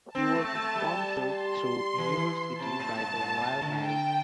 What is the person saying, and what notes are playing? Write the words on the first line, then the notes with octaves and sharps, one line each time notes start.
He was sponsored through university by the Royal Marines.
C4 A5
A3
A3
G3
C6
E3
C3 A5
A2
G2
G2
A2
D3
G5